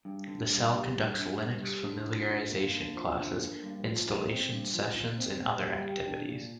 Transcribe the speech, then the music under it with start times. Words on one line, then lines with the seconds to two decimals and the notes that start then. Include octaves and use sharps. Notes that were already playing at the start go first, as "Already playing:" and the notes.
The cell conducts Linux familiarisation classes, installation sessions and other activities.
0.05 G2
0.27 D3
0.51 G2
0.72 G3
0.95 G2
1.17 D3
1.40 G2
1.61 G3
1.84 D3
2.07 F3
2.28 D3
2.50 A#3
2.73 D3
2.95 F3
3.18 D3
3.40 A#3
3.63 G2
3.85 F3
4.06 D#4
4.29 C4
4.51 G2
4.74 F3
4.96 D#4
5.18 C4
5.40 A#2
5.62 G3
5.85 G4
6.07 D4
6.29 A#2